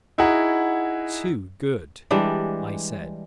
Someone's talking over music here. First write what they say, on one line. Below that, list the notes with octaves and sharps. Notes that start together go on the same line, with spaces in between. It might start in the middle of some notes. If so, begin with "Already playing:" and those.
"Too good," I said.
D#4 E4 F#4 G#4 F#5 A#5
E3 G3 G#3 D4